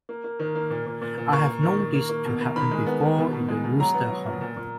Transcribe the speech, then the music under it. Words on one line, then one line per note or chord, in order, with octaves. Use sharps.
I have known this to happen before in the Wooster home.
A#3
A#3
D#3
A#3
A#2
A#2
A#2
A#2
A#3 C#6
A#3
D#3
D#3
A#3
A#3
B2
A#3
D#3 B5
G#3
B3
D#3
B2
B2
G#3
B2
F#3 A#5
B3
F#3
A#2
A#2
A#2